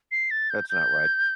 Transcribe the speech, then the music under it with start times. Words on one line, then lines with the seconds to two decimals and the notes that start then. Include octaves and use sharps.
That's not right.
0.11 C7
0.31 A6
0.50 G6
0.69 G6